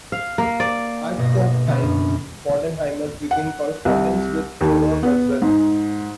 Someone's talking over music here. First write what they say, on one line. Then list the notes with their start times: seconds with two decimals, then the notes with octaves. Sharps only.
At that time Bodenheimer began correspondence with Theodor Herzl.
0.12 F5
0.38 A#3
0.60 D5
1.17 G1 B2 A#6
1.67 D3 B3 C#4
1.81 F#2
3.31 F#5
3.85 C2
4.61 D#2
5.03 B3
5.42 G#2